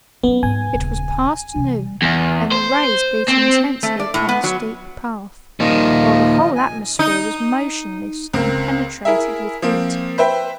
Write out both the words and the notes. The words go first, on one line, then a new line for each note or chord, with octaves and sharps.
It was past noon and the rays beat intensely upon the steep path, while the whole atmosphere was motionless and penetrated with heat.
F#3 B3 C#4
G#2 G#5
D#1 C#3
C3 E3
E2
C5
C4
A3
D5
A2
B3
F#3
A#2 D#3 F3 F4 D#5
G#5
D#4
C#2 C4 A#4
E4 G#4 A#4 E5
F3 A#3 C4
B4 C5 E5 G5